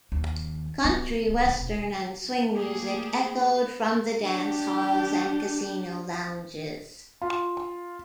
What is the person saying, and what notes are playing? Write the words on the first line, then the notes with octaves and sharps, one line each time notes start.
Country Western and Swing music echoed from the dance halls and casino lounges.
D#2
B3
E1
A3 A#3 G4 G#4
D4 G4
F4